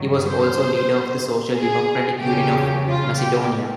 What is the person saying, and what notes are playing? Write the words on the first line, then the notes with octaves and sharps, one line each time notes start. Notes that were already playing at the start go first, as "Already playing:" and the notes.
He was also leader of the Social Democratic Union of Macedonia.
Already playing: G2 D#3 F#3
C5
G#4
E2 C#3 F#3 G4
F4
G4